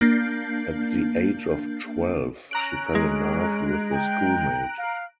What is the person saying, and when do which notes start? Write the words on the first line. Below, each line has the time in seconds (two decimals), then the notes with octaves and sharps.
At the age of twelve she fell in love with a schoolmate.
0.01 A#3 D4 G6 C7
2.51 C#4 A#5 F#6 D7
2.95 G#3
3.92 G5
4.78 F5